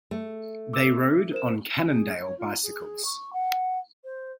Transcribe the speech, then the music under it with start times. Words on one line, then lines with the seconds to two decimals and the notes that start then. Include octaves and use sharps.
They rode on Cannondale bicycles.
0.11 A3
0.73 D6 E6
1.32 A#4 C5 E7
1.87 G#4
2.21 C#5
2.38 F4
2.63 G#4
3.05 C#6
3.33 F#5
4.04 C5